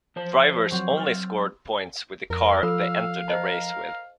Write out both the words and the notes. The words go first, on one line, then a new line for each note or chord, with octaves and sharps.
Drivers only scored points with the car they entered the race with.
F3 C5 A5
F#3 C4
E6 F6 A6
F2 A#4
F3 F4 A4 F5 E6
A#4 C5 D#5 A5